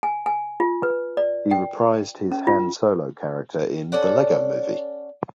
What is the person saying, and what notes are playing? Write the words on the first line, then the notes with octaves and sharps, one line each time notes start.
He reprised his Han Solo character in "The Lego Movie".
G#5
G#5
F4
B4
D5
G5
C#4
F4
C#4 A4 D5 F#5